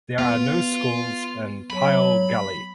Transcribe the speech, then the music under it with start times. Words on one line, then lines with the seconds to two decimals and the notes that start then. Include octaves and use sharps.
There are no schools in Pile Gully.
0.19 B3 F4
1.70 F#3 B5